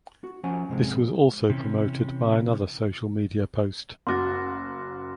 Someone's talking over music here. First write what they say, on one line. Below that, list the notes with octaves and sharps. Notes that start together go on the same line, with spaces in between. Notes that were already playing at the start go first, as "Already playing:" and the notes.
This was also promoted by another social media post.
F#4
F3 C#4 F#5 G#5
G#2 C3 G#3
C3 E3 C#4
F#1 F#4 C6 D6 A6